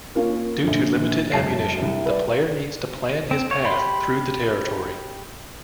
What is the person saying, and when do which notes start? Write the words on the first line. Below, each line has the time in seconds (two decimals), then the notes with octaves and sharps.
Due to limited ammunition, the player needs to plan his path through the territory.
0.15 A#3 C#4 F4 A#4
0.64 A#1 D3
1.32 E1 F#2 A5 C7
1.82 C2
2.06 B4 D5
3.31 C4
3.51 C#5
3.64 G4 B5 C6